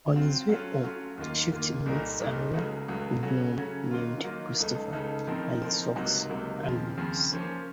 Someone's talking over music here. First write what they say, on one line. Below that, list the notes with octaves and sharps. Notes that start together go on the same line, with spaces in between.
On his way home Swift meets another gnome named Christopher and his fox Agnes.
F#3 C4 F4
F#3 A3 C#4 F4
F#3 A3 C#4 F4
D#2 D#3 A#3 F4
D#2 D#3 A#3 F4
C2 A#2 A3 D#4 A#4
C2 A#2 A3 D#4 A#4
C#2 C#3 F#3 A3
C#2 C#3 F#3 A3
C#3 F#3 A3 C#4
C#3 F#3 A3 C#4
D#3 F#3 A#3 F4
D#3 F#3 A#3 F4
C#2 C#3 A3 D#4 A4
C#2 C#3 A3 D#4 A4
A2 F3 C4 D#4 A#4
A2 F3 C4 D#4 A#4
C#2 C3 F#3 A#3 D#4
C#2 C3 F#3 A#3 D#4
D#2 C#3 F3 C4
D#2 C#3 F3 C4
F3 A#3 C#4 F4 C5